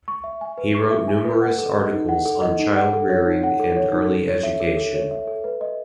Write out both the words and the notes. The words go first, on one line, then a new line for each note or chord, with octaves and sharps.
He wrote numerous articles on child rearing and early education.
C#6
E5
G#5
B4
C#6
E5
G#5
B4
F#5
A4
D#5
D#4
F#5
A4
D#5
D#4
F#5
A4
C#5
D#4
F#5
A4
C#5
D#4
A4
C#5
E5
A4
A4
C#5
E5
A4
B4
D#5